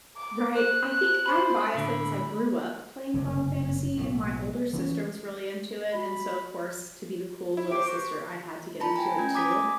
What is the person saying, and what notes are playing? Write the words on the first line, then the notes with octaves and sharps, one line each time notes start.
Right, I think I'm biased though 'cause I grew up playing Final Fantasy, my older sister was really into it, and so of course, to be the cool little sister, I had to get into it too.
D6
C5 F#6
F#6
C5 B5
A2 D3 B5
F#1 G2 C3
B1 A2
E3 C4 C#4
F#4 B5
E4
G4 C5 D6
F#4
E4 F4 A5 B5
G5 G#5 A#5
A3 C#4 G#6
G#5 A#5 D6 D#6 G#6 B6
D6 D#6